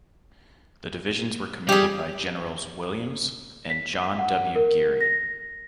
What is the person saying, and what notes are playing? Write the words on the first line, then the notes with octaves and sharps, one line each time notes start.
The divisions were commanded by Generals Williams and John W. Geary.
G3 G4 G#4
B6
F#5
A#4
A#6